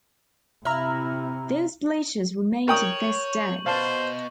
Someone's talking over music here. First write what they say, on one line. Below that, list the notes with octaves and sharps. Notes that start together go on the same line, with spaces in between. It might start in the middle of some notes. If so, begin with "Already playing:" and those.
Those bleachers remain to this day.
C3 E4 A#5 F6
A#4 C#5 G5 C#6 D#6 G6 F#7
B2 C5 F5 A5